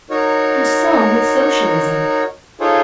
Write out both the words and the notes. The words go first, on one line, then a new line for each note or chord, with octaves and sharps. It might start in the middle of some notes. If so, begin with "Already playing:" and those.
And so with Socialism.
D#4 F#4 A#4 C#5
D#4 F4 G#4 A4 C5 C#5